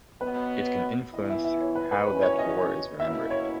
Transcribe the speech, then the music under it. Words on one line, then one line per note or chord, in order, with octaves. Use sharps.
It can influence how that war is remembered.
B2 F#3 B3 B4
E3 B3 E4 D#5
E5
E5
C#5
B4
B4
D#3 F#3 C#4 E4 B4
C#5
D#5
B2 F#3 A#3 C#4 E4 E5
C#5